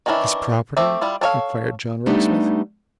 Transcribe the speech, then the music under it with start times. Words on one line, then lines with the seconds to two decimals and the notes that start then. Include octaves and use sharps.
'As property?' inquired John Rokesmith.
0.06 D#3 E3 C#4 D4 E4
0.77 A3 C4 G4 E5
1.01 G3 E4 F4
1.21 D4 A4 C#5 F5
2.06 G3 A3 B3 D4 D#4 G4